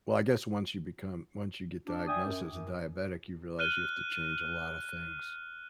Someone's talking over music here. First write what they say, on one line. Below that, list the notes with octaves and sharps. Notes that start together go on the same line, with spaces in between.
Well, I guess once you become once you get diagnosed as a diabetic, you realize you have to change a lotta things.
D4
D5 E5 G5 G#5 D#6
F#2
F#2
F6 F#6 D#7 G7